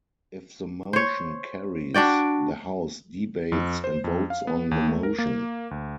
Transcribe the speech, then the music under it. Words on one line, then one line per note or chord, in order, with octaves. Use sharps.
If the motion carries, the House debates and votes on the motion.
C5 C#5
D4 F#4 D5 G5
F2
C5
F2
F5
B3
D#2
A3
A#4
A#3
D2